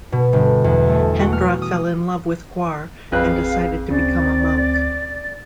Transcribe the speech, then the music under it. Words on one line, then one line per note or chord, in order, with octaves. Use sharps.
Hendra fell in love with Quarr and decided to become a monk.
B2
G1
E2
A3
F#4
F6
D#6
A1 F2 G#4 B4 F5 F#6
D2 C#3 C4 D5